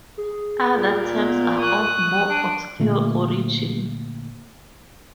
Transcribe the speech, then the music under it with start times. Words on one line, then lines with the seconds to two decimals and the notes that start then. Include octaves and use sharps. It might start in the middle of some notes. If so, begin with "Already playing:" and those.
Other terms are of more obscure origin.
0.17 G#4
0.73 A#2
1.16 B3
1.61 C#6 D#6 F#6
2.30 D4 D7
2.79 A#2 D3 A3 A#3